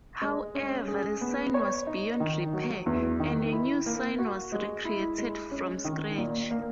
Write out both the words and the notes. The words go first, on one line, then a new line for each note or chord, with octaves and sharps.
However, the sign was beyond repair and a new sign was recreated from scratch.
G#3
C#4
G#4
B3
C#5
D#4
D#3
F#3
E2
D#3
E4
A#3
F#4
G#3
E4
G#3
C#4
D#3
A#2
A#3